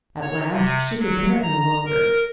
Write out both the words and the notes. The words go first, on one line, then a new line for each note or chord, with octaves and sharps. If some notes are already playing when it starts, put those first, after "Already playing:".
At last she could bear it no longer.
C#5
C3
F#3
A#5
A#4